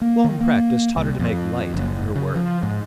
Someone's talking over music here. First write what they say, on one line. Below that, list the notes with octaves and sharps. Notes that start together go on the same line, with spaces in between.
Long practice taught her to make light of her work.
A#3
D#3
A#3
C2
F2
F#1
C#3
F3
G#2